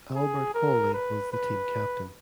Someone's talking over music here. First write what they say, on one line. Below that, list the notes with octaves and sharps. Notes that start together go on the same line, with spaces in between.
Albert Hawley was the team captain.
G#4
A#4
B4
B4